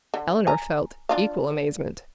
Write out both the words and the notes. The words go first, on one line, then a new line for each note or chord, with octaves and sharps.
Elinor felt equal amazement.
D3
G#5 A#5
D4 F4 F5